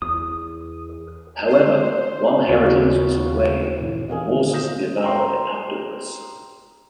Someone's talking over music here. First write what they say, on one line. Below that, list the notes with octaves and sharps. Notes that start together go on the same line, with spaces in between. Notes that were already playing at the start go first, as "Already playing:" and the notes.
However, while Heracles was away, the horses devoured Abderus.
E2 D#6
C5
D#2 C#3 F4 F#4 C#5
D#1 E3
D#5 F5 G#5 D#6
A#2 D3 D#3
A3 F4 D#6 G6 A#6 E7
G5 A#5 C6